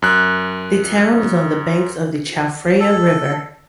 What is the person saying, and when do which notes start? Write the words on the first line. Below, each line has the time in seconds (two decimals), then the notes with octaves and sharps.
The town is on the banks of the Chao Phraya River.
0.02 F#2 F#6
2.80 A4